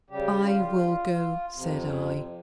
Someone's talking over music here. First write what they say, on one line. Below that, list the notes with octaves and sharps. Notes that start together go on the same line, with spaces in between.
"I will go," said I.
C#3 G3 G4
F4
F2 C3